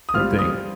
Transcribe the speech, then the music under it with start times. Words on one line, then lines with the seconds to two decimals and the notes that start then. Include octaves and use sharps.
and think
0.09 D#6
0.15 G3 C4 F4 F6
0.39 D#6